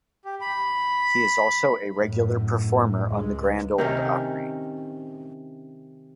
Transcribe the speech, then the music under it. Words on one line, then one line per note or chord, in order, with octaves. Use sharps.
He is also a regular performer on the Grand Ole Opry.
G4
B5
F#2 A2
C#2 G#3
C3 D#3 C#4